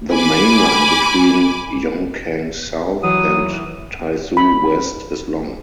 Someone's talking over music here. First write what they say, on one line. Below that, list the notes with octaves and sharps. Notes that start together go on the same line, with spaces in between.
The mainline between Yongkang South and Taizhou West is long.
G#5 B5 D6
E3 F#3 D#6
B5